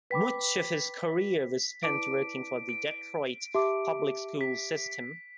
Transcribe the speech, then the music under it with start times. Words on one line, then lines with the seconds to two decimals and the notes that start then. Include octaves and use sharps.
Much of his career was spent working for the Detroit public schools system.
0.10 B4 G5 B5 D6 B6
1.82 E4 B4 D5 A5 D6 D7
2.69 D7
3.54 G4 E5 A5 D6
4.41 B6